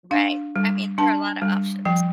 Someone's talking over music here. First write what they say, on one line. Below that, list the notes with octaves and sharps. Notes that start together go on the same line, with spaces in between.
Right. I mean, there are a lotta options.
D4 F5
G3
D4 A5
G3
F3 G5